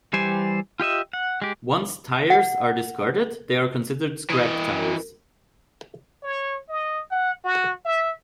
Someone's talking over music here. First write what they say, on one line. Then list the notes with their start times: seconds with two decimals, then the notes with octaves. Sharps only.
Once tires are discarded, they are considered scrap tires.
0.13 E3 G3 G4 C5 G#5
0.80 F4 G4 D#5 E5
1.13 F#5
1.42 G#3 G4
2.30 F#5
4.30 E3 D#5
6.22 C#5
6.69 D#5
7.11 F#5
7.44 F#4
7.85 E5